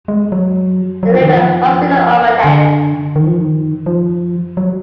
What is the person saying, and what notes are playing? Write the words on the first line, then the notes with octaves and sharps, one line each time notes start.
The river must be the Orontes.
G#3
F#3
F#3
F3
D#3
F3
D3
D#3
F3
D#3
F3
F#3